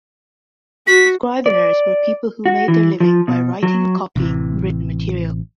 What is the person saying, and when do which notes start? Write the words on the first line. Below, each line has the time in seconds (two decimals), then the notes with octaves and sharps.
Scriveners were people who made their living by writing or copying written material.
0.87 F#4 B6
1.46 D5
2.46 F#4
2.68 E3
3.00 F3
3.28 B2
3.63 F#3
4.16 A1 C3 E3